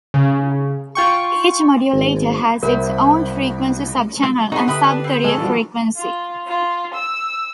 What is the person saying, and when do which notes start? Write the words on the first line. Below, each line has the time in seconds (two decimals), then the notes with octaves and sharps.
Each modulator has its own frequency sub-channel and sub-carrier frequency.
0.14 C#3
0.95 F4 G5 C#6
1.93 G#1
2.63 C2 A#4 C5 E5 B5
4.52 A#3 C4 D#4 F#4 G#4 C6
4.68 D3 G4 B4 E5 B5 D#6
4.84 D4
5.04 C4
5.24 G#3 A4 C#6
5.38 E3 F3 G3 D4 F4 F#4
5.97 F4
6.48 F4
6.94 E6